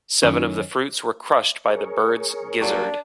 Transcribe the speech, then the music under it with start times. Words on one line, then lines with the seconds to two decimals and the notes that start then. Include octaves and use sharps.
Seven of the fruits were crushed by the bird's gizzard.
0.22 F#2 D#3 C#4
1.69 G#4 A#4 C#5
2.61 F#3 G3 A#3 D4 D5